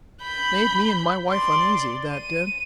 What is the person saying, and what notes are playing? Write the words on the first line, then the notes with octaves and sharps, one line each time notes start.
Made me and my wife uneasy, that did.
B5 G6
D5 C6
D#7